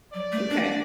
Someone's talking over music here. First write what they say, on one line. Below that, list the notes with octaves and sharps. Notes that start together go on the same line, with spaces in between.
n okay.
F#3 D5
A3
D4